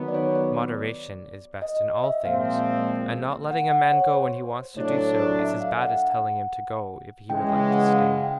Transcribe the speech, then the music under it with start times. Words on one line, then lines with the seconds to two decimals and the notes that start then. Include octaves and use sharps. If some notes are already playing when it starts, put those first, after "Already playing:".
Moderation is best in all things, and not letting a man go when he wants to do so is as bad as telling him to go if he would like to stay.
Already playing: D#3 F#3 B3
0.08 D5
0.14 C#5
0.35 D5
1.62 D#5
1.82 D#5
2.04 E5
2.25 A#2 F3 G#3 C4 F5
3.51 F#5
3.71 F#5
3.93 C#5
4.14 C5
4.76 A2 F#3 A3 D4 C#5
4.86 D5
4.94 C#5
5.40 E5
5.61 F5
5.82 F#5
7.29 C#3 E3 G#3 G5
7.50 G5
7.71 F#5
7.92 F5
8.24 G5